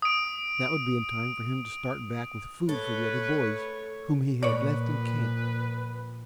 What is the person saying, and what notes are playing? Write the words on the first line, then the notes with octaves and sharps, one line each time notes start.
That would be in time for him to start back with food for the other boys, whom he had left in camp.
D#6 D7
A3 A4 B4 C#5
A#2 F3 B4 C#5 D5